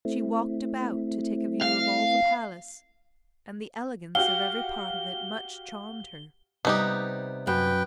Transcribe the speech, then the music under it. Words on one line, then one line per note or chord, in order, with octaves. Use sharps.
She walked about to take a view of all the palace, and the elegance of every part of it much charmed her.
A3 C4 E4
F5
F#4 G4 F5 G7
C3 G3 B3 D#4 G4 C5
F#2 B4 G5